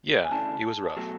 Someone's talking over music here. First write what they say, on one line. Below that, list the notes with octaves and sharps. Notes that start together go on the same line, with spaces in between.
Yeah, it was rough.
G#5
D2 C#3 E3 A3 D4 A5
B2 F#3 A3